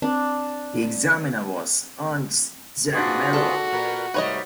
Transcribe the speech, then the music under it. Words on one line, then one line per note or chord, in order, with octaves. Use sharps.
The examiner was Ernst Zermelo.
C4 D4
G#2 D4 F4 F#4 G#4 B4
D3 A4 D5
A#2 A#4 B4 F6
G#2 C3 G3 A3 B4 C#5 D#5